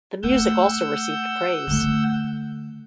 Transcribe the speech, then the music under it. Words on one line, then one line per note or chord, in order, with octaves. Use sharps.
The music also received praise.
A3 F#5 E6 G6
D3 A3